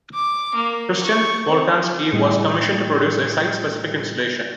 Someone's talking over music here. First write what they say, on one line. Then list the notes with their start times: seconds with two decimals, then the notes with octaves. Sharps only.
Christian Boltanski was commissioned to produce a site specific installation.
0.14 D6
0.55 A#3
1.03 C#6
1.46 C4
2.13 A2 G3 E4 D#5 G5